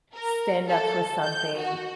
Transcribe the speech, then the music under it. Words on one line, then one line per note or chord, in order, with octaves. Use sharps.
stand up for something,
A#4
A4
G6
F#4